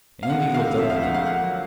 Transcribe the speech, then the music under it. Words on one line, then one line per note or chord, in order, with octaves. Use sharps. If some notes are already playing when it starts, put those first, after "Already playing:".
Andy looked up at them.
F5
G#3 F#5
G#3
F5
C3
F3 E5
F5
D2
F#5
G#3 F5
A#3 F#5
F#3